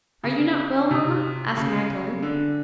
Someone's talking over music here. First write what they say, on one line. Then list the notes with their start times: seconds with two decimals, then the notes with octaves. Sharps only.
"Are you not well, mamma?" asked Magdalen.
0.24 C#3
0.90 C3
1.57 C#3
2.22 D3